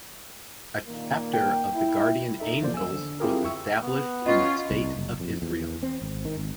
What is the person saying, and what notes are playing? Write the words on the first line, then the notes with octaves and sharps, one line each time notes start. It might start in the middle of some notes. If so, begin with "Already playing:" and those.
A chapter of the Guardian Angels was established in the State of Israel.
A#2 D#3 A#3
G5
E4
D#4 A4 E5
E3 F3 A#3 B3 C5 D5
G#5 E6
D3
C4 E4 F4 G4 G#4 A#4
E5 G5 C#6 E6
B3
C#4 F4 D#5
C2
F#1
F2
E2
C4
G#1
D#3
G#1